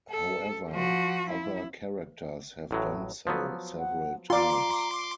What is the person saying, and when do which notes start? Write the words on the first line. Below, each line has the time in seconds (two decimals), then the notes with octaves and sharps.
However, other characters have done so several times.
0.10 A4
0.71 F3 F#4
1.30 E4
2.71 A1 A2 F#3
3.27 F3 F#3 B3
3.78 F#5
4.30 F4 D5 A#5 C6 D6